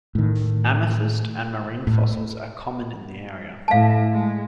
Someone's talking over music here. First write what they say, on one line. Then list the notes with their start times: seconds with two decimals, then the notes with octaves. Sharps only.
Amethyst and marine fossils are common in the area.
0.15 A2 D#3
1.87 A2
3.68 A2 F5 A5
4.11 G#3